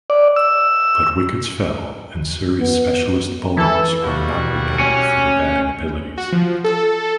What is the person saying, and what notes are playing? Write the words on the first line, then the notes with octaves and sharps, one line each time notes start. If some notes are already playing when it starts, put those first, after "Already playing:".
But wickets fell, and Surrey's specialist bowlers were not renowned for their batting abilities.
D5
E6
B3
E3 A4
B2 G3 A#3 F#4
C#4
F#4
F3
A4